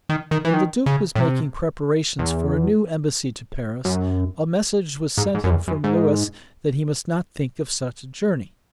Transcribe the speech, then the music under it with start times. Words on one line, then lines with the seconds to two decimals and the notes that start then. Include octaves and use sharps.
When the duke was making preparations for a new embassy to Paris, a message was sent him from Louis, that he must not think of such a journey.
0.09 D#3
0.31 D#3
0.45 E3
0.53 D#3
0.86 C#3
1.15 A2
1.20 C3
2.19 E2
3.85 F#2
5.18 G#2
5.34 G#2
5.44 F#2
5.51 E2
5.68 F#2
5.84 G#2